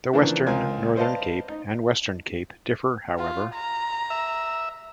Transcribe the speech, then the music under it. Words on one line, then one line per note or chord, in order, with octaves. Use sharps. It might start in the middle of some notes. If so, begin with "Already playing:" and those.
The western Northern Cape and Western Cape differ however.
C#3 E3 F3 A#3 D4
C#2 C4 F4 A#4 G#5
B4 C5 D5 D#5 F5 A5
D#4
F4
A#5
E5